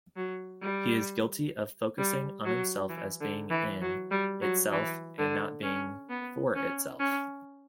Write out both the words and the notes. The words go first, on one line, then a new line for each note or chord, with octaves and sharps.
He is guilty of focusing on himself as being-in-itself and not being-for-itself.
F#3
G3
G3
F#3
E3
D3
E3
F#3
G3
F#3
E3
D3
C#4
B3
C#4
C#4